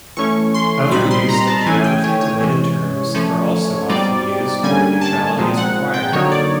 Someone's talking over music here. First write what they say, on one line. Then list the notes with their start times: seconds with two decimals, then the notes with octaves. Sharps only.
Other use of geography-related terms are also often used where neutrality is required.
0.17 E3 A3 C#4 C#6
0.55 C6
0.91 A#2 G3 C4 D#4 B5
1.11 C6
1.29 A#5
1.47 A5
1.66 E3 A3 C#4 G#5
1.84 G5
2.04 C#5
2.21 C#5
2.40 C3 E3 G#3 C#4
3.14 F3 A3 C#4
3.89 B2 G3 C4 D#4 D5
4.63 D3 G3 A#3 C#4 G#5
5.01 A5
5.38 A#2 F3 G#3 C4 D#4
5.57 F#5
5.94 G5
6.12 D3 F#3 A#3 D#4 C#5
6.32 D5